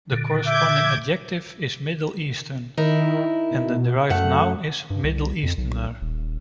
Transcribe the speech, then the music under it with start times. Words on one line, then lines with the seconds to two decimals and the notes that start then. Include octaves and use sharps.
The corresponding adjective is "Middle-Eastern" and the derived noun is "Middle-Easterner".
0.12 A#2 D3
0.48 E5 D6 G6 G#6
2.77 D#3 D#4 E4 A#4
3.51 B2
4.10 F#2 A3 F#5
4.90 G2
5.04 C2
5.43 F2
5.58 B1
6.01 D#1